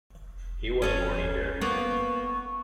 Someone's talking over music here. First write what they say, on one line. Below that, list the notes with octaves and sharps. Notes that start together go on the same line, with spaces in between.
He was born in Derby.
C#4 A4 C#5
A#3 B3 C#6